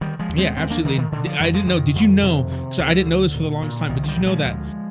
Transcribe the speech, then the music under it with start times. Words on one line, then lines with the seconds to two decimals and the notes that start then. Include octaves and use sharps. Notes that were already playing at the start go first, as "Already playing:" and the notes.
Yeah, absolutely, and the I didn't know, did you know 'cause I didn't know this for the longest time, but did you know that,
0.01 D3 D#3 G3
0.19 F3 G#3
0.29 D#2
0.38 G#3 C4
0.57 D#2 G#3 C4
0.71 A#3 D4
0.84 D3 D#3 G3
0.98 D#3
1.12 D3 D#3
1.26 D3 F3
1.40 F2 D#3 G3
1.54 F3 G#3
1.67 F2 D#3
1.96 F2
2.23 C3
2.51 C3
2.78 D2 D3
3.06 D2
3.34 A#2
3.62 A#2
3.89 C2 D#3
4.03 F3
4.08 D#3 G3
4.17 A#2
4.27 F3 G#3
4.45 D2